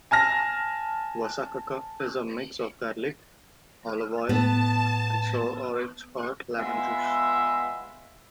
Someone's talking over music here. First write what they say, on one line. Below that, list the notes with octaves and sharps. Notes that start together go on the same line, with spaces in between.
Wasakaka is a mix of garlic, olive oil, and sour orange or lemon juice.
G#5 A5 F6 A#6
A2 B3 A5
G#3 B3 F4 E5